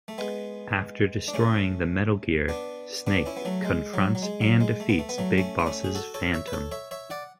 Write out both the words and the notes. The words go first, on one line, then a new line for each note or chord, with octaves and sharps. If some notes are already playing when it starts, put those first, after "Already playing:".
After destroying the Metal Gear, Snake confronts and defeats Big Boss's phantom.
A3
G#3 B3
D4
A3 C#4
B3 D4
B3 D4
C#4 E4
B3
F#3 A3
G#3
F#3
F#3
G#3
F#3
G#3
A3
B3
A3
B3
F#3 A3
A3 C#4
D4
A3 C#4
G#4
F#4 A4
A4 C#5
C#5 E5
B4
A4 C#5
C#5 E5
C#5 E5
D5 F#5